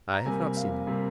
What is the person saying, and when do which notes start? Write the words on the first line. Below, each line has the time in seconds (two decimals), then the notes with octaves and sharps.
"I have not seen him."
0.14 A#5
0.25 C3 G3 A#3 G#5
0.57 F5
0.87 C3 G3 A#3